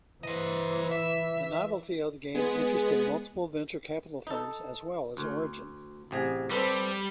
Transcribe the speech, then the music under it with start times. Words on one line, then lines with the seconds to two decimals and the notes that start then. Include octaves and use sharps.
The novelty of the game interested multiple venture capital firms as well as Origin.
0.23 E3 C5 D#5
0.91 E5
2.35 G#3 B3 G#4
4.27 D#4 A4
5.17 D2
6.11 A1 C3 G#4
6.51 G3 C4 A4 B4